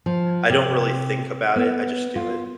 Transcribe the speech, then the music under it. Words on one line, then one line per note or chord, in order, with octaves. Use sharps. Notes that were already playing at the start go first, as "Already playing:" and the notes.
I don't really think about it, I just do it.
F3
C3
B3
F4